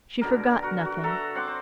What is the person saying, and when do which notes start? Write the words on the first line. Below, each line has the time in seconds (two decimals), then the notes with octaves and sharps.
She forgot nothing.
0.21 B2 D3 A#4
0.62 F#4 A#4
0.85 F#4
1.04 A4 E5 A#5
1.35 C4 F#5 C6 D6
1.47 C5